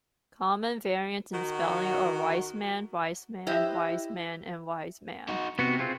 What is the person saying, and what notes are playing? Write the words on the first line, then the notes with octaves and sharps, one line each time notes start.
Common variants in spelling are Weismann, Weissman, Weisman, Waismann.
D#3 F#4
E4 G4 B4 C5 D#5 E5
D#4 F#4
C3 B3 F#4
C4 F4 G#4